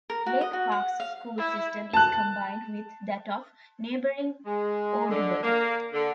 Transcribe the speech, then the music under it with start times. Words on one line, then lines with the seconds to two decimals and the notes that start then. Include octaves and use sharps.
Lake Park's school system is combined with that of neighboring Audubon.
0.10 A#4
0.26 F#4
0.41 D#5
0.53 F#4
0.72 F#5
1.00 F5
1.38 E4
1.93 A5 F#6
4.46 G#3
5.10 D3
5.42 A#3
5.93 D3